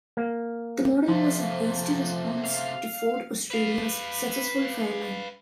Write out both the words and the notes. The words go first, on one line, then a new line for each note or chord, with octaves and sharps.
The model was a hasty response to Ford Australia's successful Fairlane.
A#3
C3 F3 A3
F5
B4 F5